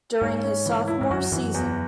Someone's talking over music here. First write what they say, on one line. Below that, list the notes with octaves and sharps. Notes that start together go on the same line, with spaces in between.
During his sophomore season.
G#2 C#5
C#4
E3
E4
G#2
F#2 F#4
F#2 E3
E2